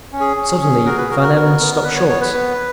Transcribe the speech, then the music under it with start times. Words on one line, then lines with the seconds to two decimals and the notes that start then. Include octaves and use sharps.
Suddenly Van Emmon stopped short.
0.12 C#4
0.20 G#4
0.36 C#4
0.61 G#4
0.86 F#4 A#4
0.98 B4
1.10 F#4 A#4
1.23 A#4
1.35 B3 A#4
1.60 B3
1.76 A#4
1.84 B3 B4
1.96 C#5
2.09 B3 C#5
2.21 B4
2.33 B3